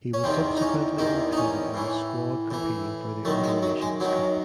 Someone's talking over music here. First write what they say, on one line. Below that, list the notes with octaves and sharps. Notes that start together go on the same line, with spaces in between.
He was subsequently included in the squad competing for the Autumn Nations Cup.
C#4
E2 C3 D#3 C4
D#4
C#4
E2 C3 D#3 D#4
D#4
C#4
A2 E3
A2 E3
F#2 D#3 A3
G#3
F#3
G#3
F#2 D#3 F#3